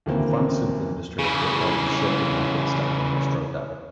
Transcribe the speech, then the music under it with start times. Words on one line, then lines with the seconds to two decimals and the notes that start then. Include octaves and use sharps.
The pharmaceutical industry requires a shift in methods to analyze drug data.
0.06 D2 C3 D#3 E3 A#3 C5
1.19 C#3 E3